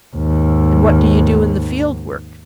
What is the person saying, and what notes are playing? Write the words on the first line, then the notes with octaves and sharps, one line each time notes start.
"And what do you do in the Field Work?"
D#2 G#2